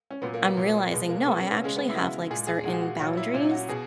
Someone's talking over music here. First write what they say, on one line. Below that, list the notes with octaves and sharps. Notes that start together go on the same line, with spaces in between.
I'm realizing, no, I actually have, like, certain boundaries,
C#4
A#2 F#3 B3
A#3
B3
A#2 F#3
B2 G#3 B3
A#3
B2 G#3 B3
C#4
B3
C#3 G#3 C#4
B3
E4
C#3 G#3 F#4
A#2 G#3 G#4
G#4
A#2 G#3 F#4 G#4
F#4
A#2 F#3 F#4
E4
A#2 F#3 C#4
F#4
B2 G#4